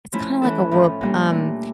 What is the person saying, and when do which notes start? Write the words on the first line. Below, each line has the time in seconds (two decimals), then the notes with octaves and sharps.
It's kinda like a Whoop. Um,
0.13 F3 A3 C#4 E4
0.42 E3 A3 C#4 E4 A4
0.71 A2 F3 A3 C#4
1.01 A#2 G3 D4
1.30 A#2 A3 D4